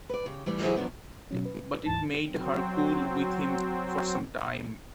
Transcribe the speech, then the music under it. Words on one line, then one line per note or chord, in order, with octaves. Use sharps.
But it made her cool with him for some time.
B4 D5
C#3 G4
E3 G3 A3 D4
E3 F#3 G4 G#4 C5 E5
F#2 D#3 F3 B3 D4
B2 F#3 C#4
B4
D2 G#2 E3 A5
F#3 C4